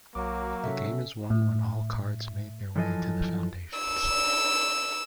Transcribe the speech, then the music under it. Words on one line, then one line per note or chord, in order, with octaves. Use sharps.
The game is won when all cards made their way to the foundations.
B1 F#3 A#3 D6
C3 C#4 A4 E5
A2
F#2 E3 F3 A4 D#5 G#5
E6